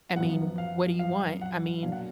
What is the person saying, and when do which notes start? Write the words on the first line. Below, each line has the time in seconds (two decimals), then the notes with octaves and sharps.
I mean, what do you want? I mean,
0.16 F#2 F3 B3 F#5
0.58 F5
0.99 F5
1.41 F#5
1.83 B2 F#3 A#3 D4 F5
1.92 F#5